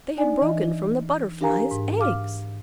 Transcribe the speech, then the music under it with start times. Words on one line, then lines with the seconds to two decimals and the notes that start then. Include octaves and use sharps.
They had broken from the Butterfly's eggs!
0.17 D4 D#4 D5 G#5
0.42 E3 D#5
1.41 D4 G4 A#4 F5 G#5 A#5
1.71 G#2
1.99 F5 D6 F6